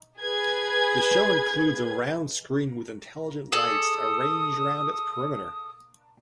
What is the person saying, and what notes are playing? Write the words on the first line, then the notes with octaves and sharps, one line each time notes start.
The show includes a round screen with intelligent lights arranged around its perimeter.
G#4 B4 G#6
G#4 A4 D5 D#6